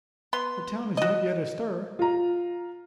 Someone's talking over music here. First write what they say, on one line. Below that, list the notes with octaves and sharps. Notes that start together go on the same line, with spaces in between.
"The town is not yet astir."
B3 C6
F#4 D#5
F4 A#5